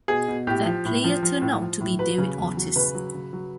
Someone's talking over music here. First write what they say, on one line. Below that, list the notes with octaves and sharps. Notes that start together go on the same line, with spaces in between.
That player turned out to be David Ortiz.
B2 G#4
B2
A2 G4
F3
A2
F3
F3
A2
F3
A2
F#3 B4
C#3
E2
F#3
C#3 B4
F#3
C#3
F#3